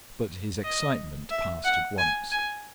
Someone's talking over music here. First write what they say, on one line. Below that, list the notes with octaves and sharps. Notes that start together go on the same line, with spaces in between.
But his excitement passed at once.
D#5
E5
F#5
G#5
G#5